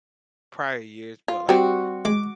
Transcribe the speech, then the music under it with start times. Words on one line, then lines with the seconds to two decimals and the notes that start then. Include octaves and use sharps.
prior years, but, like,
1.28 F4
1.49 G3 C4 F#4
2.05 G#3 D6